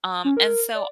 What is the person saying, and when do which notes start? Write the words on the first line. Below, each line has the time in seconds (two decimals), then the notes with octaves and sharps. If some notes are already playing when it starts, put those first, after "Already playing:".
um, and so
0.24 C#4
0.37 A#4
0.75 D5